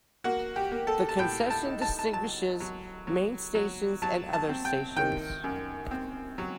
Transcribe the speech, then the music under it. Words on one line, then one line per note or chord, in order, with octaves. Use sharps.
The concession distinguishes main stations and other stations.
A#3 F#4
G4
A#3
A4
A5
A2 G5
A5
D#4
A5
A5
F#3 A5
F#3
F#3
F#3
F#3 A5
A5
C4
G5
D#3 G5
F#2
C4
F#3